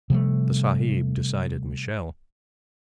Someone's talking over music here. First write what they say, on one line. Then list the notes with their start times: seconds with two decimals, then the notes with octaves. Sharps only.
The "Sahib" decided Michele.
0.10 C3 F3 G3 A3